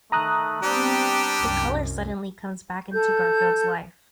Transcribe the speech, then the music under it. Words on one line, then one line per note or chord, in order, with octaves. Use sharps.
The color suddenly comes back into Garfield's life.
D#3 A3 A#5 D#6 F#6
G3 B3 C4 D4 G4
C2 F#2
A4 G6